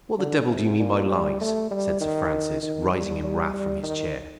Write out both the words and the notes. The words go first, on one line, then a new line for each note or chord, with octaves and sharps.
"What the devil do you mean by lies?" said Sir Francis, rising in wrath from his chair.
D3
C3
A#2
G3
A3
G3
D#3
D#3
G3
G3
G3
D#3